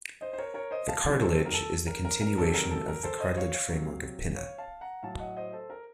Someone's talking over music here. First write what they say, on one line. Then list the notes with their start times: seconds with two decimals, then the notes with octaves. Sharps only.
The cartilage is the continuation of the cartilage framework of pinna.
0.21 C5 D#5
0.33 C5
0.38 A#4 C#5
0.54 A#4 C#5
0.71 C5 D#5
0.88 F5 A5
1.05 C3 D#3 F#3
1.21 A4 C5
1.46 A#4
1.54 A4
1.87 A#4
2.05 A#4
2.21 A#4
2.38 C3 D#3 F#3 A4
2.54 A#4
2.71 A4
2.88 A#4
3.03 A4 C5
3.20 C5 D#5
3.37 C#5 F5
3.54 C#5 F5
3.70 C3 F#3
4.36 C#5 F5
4.58 F5 A5
4.81 F#5 A#5
5.03 A2 F#3 F5 A5
5.19 D#5 F#5
5.37 C5 D#5
5.53 A4 C5
5.70 A#4